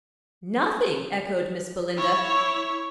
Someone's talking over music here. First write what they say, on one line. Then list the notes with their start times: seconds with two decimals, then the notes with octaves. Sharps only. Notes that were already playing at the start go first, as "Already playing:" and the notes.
"Nothing!" echoed Miss Belinda.
1.97 E4 C#5